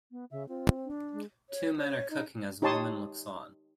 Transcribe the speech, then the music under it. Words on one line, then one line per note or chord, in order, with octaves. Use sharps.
Two men are cooking as a woman looks on.
B3
C#3 E5
C4 F4
D4
G#3
C#5
C#5
D#4
D#4 G4 C#5 A5 C6 D#6